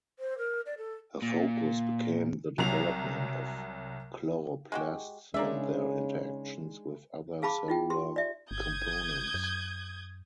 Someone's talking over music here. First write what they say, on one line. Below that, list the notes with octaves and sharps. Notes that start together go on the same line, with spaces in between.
Her focus became the development of chloroplasts and their interactions with other cellular components.
C5
A#4
D5
A4
A#2
C2 F#3 A#5 C7 F7
G#3 F#4 G4
C#3 G#3 A#3 D4 D#4 D5 E5
G#4 F5 A5 B5 D6
D#4 F4 G5
G4 C6
D5 E5
G1 D#6 G6 G#6
F#2